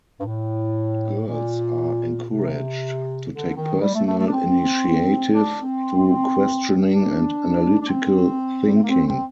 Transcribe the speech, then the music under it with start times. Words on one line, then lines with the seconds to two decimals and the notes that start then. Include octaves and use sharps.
Girls are encouraged to take personal initiative through questioning and analytical thinking.
0.20 G2
0.25 A2
1.27 A#2
2.29 C3
3.30 D3
3.56 D#3
3.81 G3
3.94 A3
4.06 A3
4.19 A3
4.27 D4
4.32 C4
5.33 D4
5.58 C4
6.87 D4
7.81 D4
7.88 C4
8.67 G3
8.75 A3
8.83 A#3
8.90 C4
9.07 C4